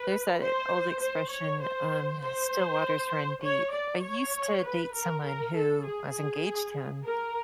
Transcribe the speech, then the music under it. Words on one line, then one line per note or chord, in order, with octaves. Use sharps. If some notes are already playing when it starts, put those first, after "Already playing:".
there's that old expression, um, "Still waters run deep." I used to date someone who- I was engaged to him-
Already playing: B4
C5
C5
C#5
C5
C5
C#5
D5
C#5
B4
A#4
A#4
A4
G#4
A#4